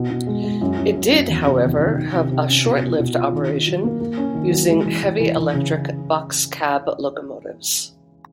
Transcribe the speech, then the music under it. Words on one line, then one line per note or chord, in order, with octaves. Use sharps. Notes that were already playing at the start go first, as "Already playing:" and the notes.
It did however, have a short-lived operation using heavy-electric boxcab locomotives.
Already playing: B2
B2
G#3
G#3
F#2
F#2
F#2
F#2
E2
C3
E2
D#3
D#3
C3
C3
C#4
B2
B2
B2
F4
D#3
D#3
F#3
A#3
A#3
C#4
D#3
F#3
G#3
E3
E3
E3
E3
C#3